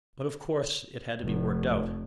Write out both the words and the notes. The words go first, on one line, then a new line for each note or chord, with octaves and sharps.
But of course it had to be worked out.
F1